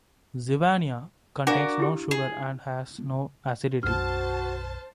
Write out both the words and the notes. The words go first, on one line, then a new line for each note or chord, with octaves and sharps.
Zivania contains no sugars and has no acidity.
D4 F#4 A#4 D5 F5
E4 G4
G#4
B1 F#2 D4 F#4 C5 A5 F6